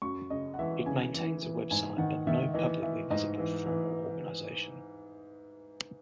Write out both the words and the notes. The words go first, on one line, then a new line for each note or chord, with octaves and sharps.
It maintains a website but no publicly visible formal organisation.
F#2 C#6
C#3 D#5
F#5
E3 E5
C#3 G#5
E3
E3
G#2 G#5
D#3 F#5
D#3 E5
E3 D#5
E3 E5
G#2 D#5
E3
E3